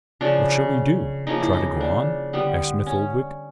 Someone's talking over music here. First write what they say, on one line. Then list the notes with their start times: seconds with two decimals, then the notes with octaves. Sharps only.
"What shall we do--try to go on?" asked Smith-Oldwick.
0.21 C#3 F3 A3 D4
1.27 C#3 F3 A#3 D#4
1.40 E4
1.53 D#4
1.81 D4
2.33 D3 G3 B3
2.86 C#4